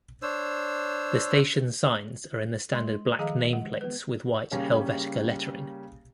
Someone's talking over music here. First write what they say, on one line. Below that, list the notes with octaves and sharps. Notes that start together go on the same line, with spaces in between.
The station's signs are in the standard black name plates with white Helvetica lettering.
D4 C5 C#5 E6
G#3 C6
D#3 F3 G#4 D#5 F5 A#5
G#3 F#5
B3 B4
C#3 G3 A#3 C#4